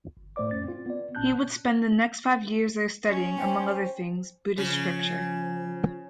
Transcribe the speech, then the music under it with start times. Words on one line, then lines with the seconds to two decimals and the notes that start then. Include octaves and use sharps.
He would spend the next five years there studying, among other things, Buddhist scripture.
0.17 G1
0.36 A2 A3 C5 D5 D6
0.51 F2 C#4 A6
0.64 C4 F4
0.86 B3 D5
1.15 G1 A#2 C#4 A5 F#6 G6
3.07 C#4
3.38 C5 G5
4.58 C#3 F3